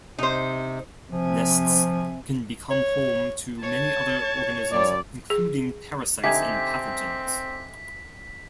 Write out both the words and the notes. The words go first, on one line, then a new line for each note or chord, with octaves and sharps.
Nests can become home to many other organisms including parasites and pathogens.
C3 D#4 C5
C3 F3 G#5
C#5
C#5 A5 G#6
F#2 D5
G#4
D3 C4 D#4 G4 E5 G#5 G#6 B6